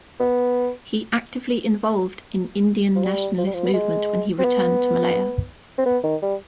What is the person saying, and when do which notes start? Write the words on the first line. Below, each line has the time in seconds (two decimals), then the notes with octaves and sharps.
He actively involved in Indian nationalist movement when he returned to Malaya.
0.20 B3
2.95 F3
3.04 G3
3.38 F3
3.47 G3
3.54 F3
3.66 B3
3.74 G#3
4.39 C4
4.45 B3
5.78 C4
5.86 B3
6.03 D#3
6.22 G3